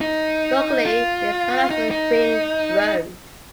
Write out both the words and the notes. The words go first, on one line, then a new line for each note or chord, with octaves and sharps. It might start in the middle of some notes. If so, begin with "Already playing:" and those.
Locally, it is known as Ring Road.
D#4
F4
D#4
D#4